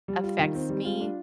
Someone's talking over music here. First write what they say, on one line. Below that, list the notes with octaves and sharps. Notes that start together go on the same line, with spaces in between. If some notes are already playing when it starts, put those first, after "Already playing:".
affects me,
G3
F4
D#3
C4
G3
F4
D4